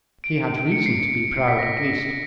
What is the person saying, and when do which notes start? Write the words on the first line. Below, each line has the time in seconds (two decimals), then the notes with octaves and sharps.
He had reason to be proud, at least.
0.24 D7
0.58 D7
0.72 C#7
0.86 C7
1.00 C#7
1.36 C7
1.48 B6
1.59 A#6